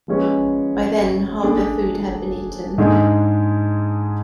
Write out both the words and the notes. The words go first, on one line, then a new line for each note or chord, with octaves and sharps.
By then half their food had been eaten.
F3 G#3 C#4 G#4 B4
A3 D4 G#4 D5
G#2 G#3 D4 G#4